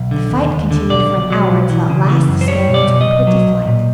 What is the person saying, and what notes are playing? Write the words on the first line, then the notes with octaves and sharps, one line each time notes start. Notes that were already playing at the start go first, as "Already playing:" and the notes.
The fight continued for an hour, till at last the Spaniards were put to flight.
Already playing: B1
D3
D#2
D#2
D3
B1 D5
B1
F#3
B1
E3
C#3
E3
F#2
C5
G3 C#5
B2
D5
B2
D#5
B1
F#3
B1
A#2